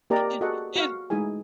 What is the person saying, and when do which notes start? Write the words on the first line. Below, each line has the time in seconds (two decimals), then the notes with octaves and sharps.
It it
0.10 A#3 G4 A#4 D5 D#5 A#5
0.41 F#4 G#4 A4 D#5 F#5
0.76 F#4 F5
1.10 G#3 A3 D#4 E4 G#4 G#5